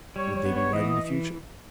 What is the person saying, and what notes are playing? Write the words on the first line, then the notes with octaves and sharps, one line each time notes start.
Would they be right in the future?
G3 C#5
C#5
B3
C#5
E3 D#5